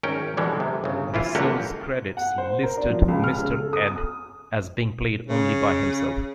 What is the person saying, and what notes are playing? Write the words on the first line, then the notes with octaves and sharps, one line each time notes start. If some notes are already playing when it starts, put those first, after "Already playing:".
The show's credits listed Mister Ed as being played only by "Himself".
G#1 C#4 A#4 G5
E2 B2 D3 E3 G3 G#3
C3
G1 C#3
E3 E4 F4
C#2 D3 A#3 F#4 G4
F#5
C5
A#4
D4
F3
C#2
F6
C#3
A4
D#6
D#6
C#3